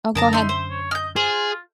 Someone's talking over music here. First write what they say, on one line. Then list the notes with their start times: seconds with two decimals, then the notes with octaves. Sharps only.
Oh, go ahead.
0.15 F#2 D3 A#4 D#5 A5 A#5
0.33 D#4 E5 C6
0.49 C5
0.70 C#5
0.91 D#5 F6 G6
1.16 F4 G#4 C5